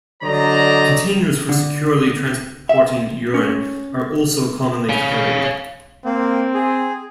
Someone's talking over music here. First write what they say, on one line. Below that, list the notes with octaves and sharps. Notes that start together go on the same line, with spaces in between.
Containers for securely transporting urine are also commonly carried.
D3 F#3 C5 D5 D#5 A#5
D3
E5
C#4
C#5 F5
A#3 C4
G#4